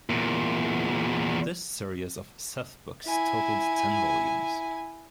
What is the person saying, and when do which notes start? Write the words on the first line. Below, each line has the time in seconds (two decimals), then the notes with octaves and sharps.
This series of "Seth books" totaled ten volumes.
0.10 E2 A#2
3.06 E4 G#5